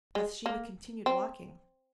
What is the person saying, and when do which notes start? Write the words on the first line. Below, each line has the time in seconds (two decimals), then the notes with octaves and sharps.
Bathsheba continued walking.
0.15 G#3
0.46 A#3
1.06 C4